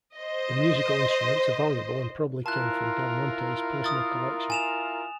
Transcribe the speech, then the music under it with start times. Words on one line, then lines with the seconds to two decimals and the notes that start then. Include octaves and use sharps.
The musical instruments are valuable and probably came from Del Monte's personal collection.
0.17 C5 D#5
2.46 E4 F4 A#4 A5 F#6
3.84 D#6 A6
4.50 G#5 E7 F7